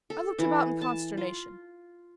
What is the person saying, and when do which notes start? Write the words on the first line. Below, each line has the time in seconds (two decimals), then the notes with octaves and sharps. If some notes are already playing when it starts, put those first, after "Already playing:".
I looked about in consternation.
0.10 A4
0.39 E3
0.81 A5
1.17 F4